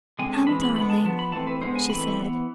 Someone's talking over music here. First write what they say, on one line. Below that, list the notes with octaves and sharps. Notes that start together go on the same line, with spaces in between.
"Come, darling," she said.
D3 G#3 C4 G#5
A5
E3 G#3 C4 B5
B5
D3 G#3 B3 B5
A5
F3 B3 A5
B5
E3 A3 C4 A5
B4
D3 G#3 B3 C5
G#5
E3 A3 C4 B5
E3 B3